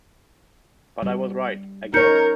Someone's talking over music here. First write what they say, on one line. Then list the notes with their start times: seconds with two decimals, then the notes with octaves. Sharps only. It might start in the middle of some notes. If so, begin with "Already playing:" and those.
But I was right - again!
1.03 G3
1.94 D#4 A#4 C#5 G6 C#7